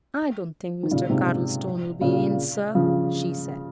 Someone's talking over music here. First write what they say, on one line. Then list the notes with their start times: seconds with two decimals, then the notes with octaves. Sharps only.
"I don't think Mr. Cardlestone'll be in, sir," she said.
0.83 D#3
0.91 A#2 C#3
1.09 G#2 C3
2.01 A#2 C#3
2.75 C#3 F3